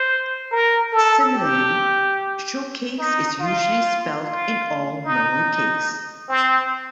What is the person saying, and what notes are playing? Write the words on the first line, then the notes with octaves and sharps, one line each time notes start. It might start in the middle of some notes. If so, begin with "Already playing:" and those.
Similarly, Showcase is usually spelt in all lower case.
Already playing: C5
A#4
A4
G4
D#4
F4
F4
D#4
C4